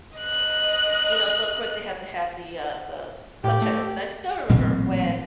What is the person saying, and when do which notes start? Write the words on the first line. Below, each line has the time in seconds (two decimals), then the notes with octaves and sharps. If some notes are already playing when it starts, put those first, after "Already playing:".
you know, so, of course, they had to have the, uh, the subtitles. And I still remember when
0.18 D#5 F#6
3.44 A2 G4
3.62 A3
4.49 A1 A#2 F#3 C4